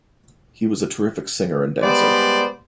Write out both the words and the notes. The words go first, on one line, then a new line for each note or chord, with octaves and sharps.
He was a terrific singer and dancer.
G3 G#3 B3 C5 D5